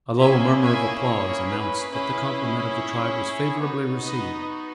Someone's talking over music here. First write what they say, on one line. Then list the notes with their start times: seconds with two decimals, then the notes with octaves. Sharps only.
A low murmur of applause announced that the compliment of the tribe was favorably received.
0.19 A#3 C#4 E4 G#4 E5 G#5
0.61 E5 G#5
1.04 C#5
1.47 B4
1.90 C#4 E4 G#4
2.76 C#5
3.61 B3 D#4 F#4
4.03 B4 D#5